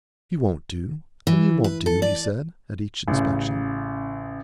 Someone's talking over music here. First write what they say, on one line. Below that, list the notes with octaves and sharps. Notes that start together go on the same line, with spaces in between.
'You won't do, and you won't do,' he said, at each inspection.
E3
B4
A4
D5
A1 C#3